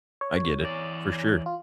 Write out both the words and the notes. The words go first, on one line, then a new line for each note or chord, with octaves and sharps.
I get it, for sure.
C#5
E3 D5
F4